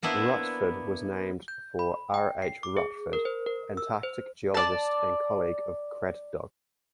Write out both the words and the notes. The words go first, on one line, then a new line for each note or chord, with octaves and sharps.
Rutford was named for R. H. Rutford, Antarctic geologist and colleague of Craddock.
A#3 B3 D4 E4 C5 C#5
G6
B5
G5
C7
D6
G#4
A#4
C5
A#4
E6
C5
D5 A5